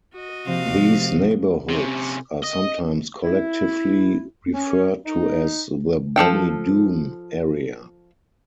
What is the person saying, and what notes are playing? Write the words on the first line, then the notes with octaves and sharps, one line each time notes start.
These neighbourhoods are sometimes collectively referred to as the Bonnie Doon area.
F#4 D#5
C3 F3 A#3 C4 F5
C3 C#4
D#5
E4
C#4
D#4
F3 G#4 A4 G5